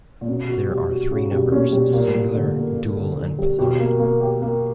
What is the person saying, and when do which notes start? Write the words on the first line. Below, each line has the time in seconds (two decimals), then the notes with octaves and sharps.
There are three numbers, singular, dual and plural.
0.21 A#2
0.28 B2 C#4
0.49 F#4
0.69 G3
0.90 F#4
1.11 C#3 F#4
1.31 B2 G3
1.52 A#2 C#4
1.73 B2 G3
1.93 A#2 A#3
2.14 G3
2.35 D3
2.56 A#3
2.76 A#3
2.97 D3
3.18 D3
3.39 G3
3.59 B2 G4
3.79 A#3
4.00 A#3
4.21 G4
4.42 A#3